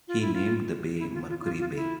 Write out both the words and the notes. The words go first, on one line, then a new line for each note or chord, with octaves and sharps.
He named the bay Mercury Bay.
F4
E4
F4
E4
F4
F4
E4
F4
F4
E4